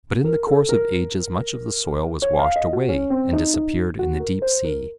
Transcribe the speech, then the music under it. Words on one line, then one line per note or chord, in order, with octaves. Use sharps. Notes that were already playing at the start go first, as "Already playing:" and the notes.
But in the course of ages much of the soil was washed away and disappeared in the deep sea.
A#4
A4
A#4
C#5
F5
D#5
F#4
C#4
C4
D#4
D#4
F#4
A#4
C5
A#4